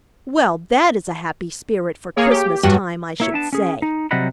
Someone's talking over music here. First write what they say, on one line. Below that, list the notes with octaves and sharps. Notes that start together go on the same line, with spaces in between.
Well, that is a happy spirit for Christmas time, I should say!
A#3 G#4 C#5
G4
G2 F#3 F#4
A#3 E4 C#5
B3 D4 A5
C#4 G#4
D#4
C3 F#3 G3 D#5 F#5 B5